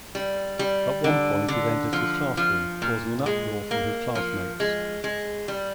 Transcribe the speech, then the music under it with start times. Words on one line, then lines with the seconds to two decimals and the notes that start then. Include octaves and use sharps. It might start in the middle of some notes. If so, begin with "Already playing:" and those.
At one point it enters his classroom, causing an uproar from his classmates.
0.15 G3
0.59 G3
1.04 D3
1.48 D3
1.93 F3
2.37 F3
2.82 A#2
3.26 G#3
3.71 A#3
4.15 F3
4.60 G#3
5.04 G#3
5.48 G3